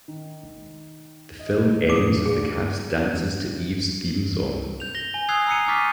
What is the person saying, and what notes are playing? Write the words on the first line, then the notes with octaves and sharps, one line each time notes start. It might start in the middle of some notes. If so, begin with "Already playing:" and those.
The film ends as the cast dances to Eve's theme song.
D#3
D#5
F1 A2 D6 D#6
D2 A#2 F3 G#4
G6 F7
A#6 G7
G#5
D#6 E6 F#6 G#6 C7 F7
A#5 E6 C7 C#7 D#7
C#6 D6 F6 G6 A6 B6